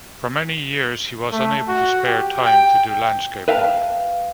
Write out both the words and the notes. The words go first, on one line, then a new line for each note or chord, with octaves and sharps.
For many years he was unable to spare time to do landscape work.
A3
F#4
G4
G5
B4 E5 F5 G5 A5